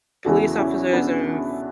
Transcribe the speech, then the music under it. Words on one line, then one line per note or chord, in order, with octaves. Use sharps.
police officers and f,
E2 C#3 E3 F#4 A4
C#4 E4
B3 D4